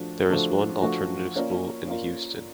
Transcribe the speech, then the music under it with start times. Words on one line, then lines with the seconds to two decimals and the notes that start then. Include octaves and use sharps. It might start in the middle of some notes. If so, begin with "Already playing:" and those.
There is one alternative school in Houston.
Already playing: F3 A3 D4 F#4
0.30 F3 A3 D4 F#4
0.82 F3 A3 D4 F#4
1.35 A#3 C#4 F4 A#4 D5
1.87 A#3 C#4 F4 A#4 D5